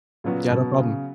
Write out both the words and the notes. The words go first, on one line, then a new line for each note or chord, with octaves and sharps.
Yeah, no problem.
A#2 C#3 F#3 B3 F#4
B2
C#3